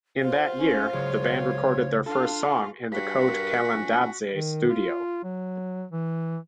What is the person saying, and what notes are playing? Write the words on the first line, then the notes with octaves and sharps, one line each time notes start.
In that year, the band recorded their first song in the kote kalandadze studio.
F4 C5 F5
C#4
C#2 F#3 G#3 C#5
D4 F4 A4 F5
G2 F#4 B6
A#4
A#1 G#5
D#3
F4
F#3
E3